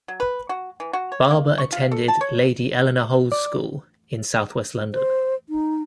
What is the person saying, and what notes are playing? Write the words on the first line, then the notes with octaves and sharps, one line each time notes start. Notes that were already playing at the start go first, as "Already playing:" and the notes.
Barber attended Lady Eleanor Holles School in south-west London.
F#3
B4
F#4
E3
F#4
C#5
A#3
C#6
F4
A4
A5
C#5
D5
C5
D#4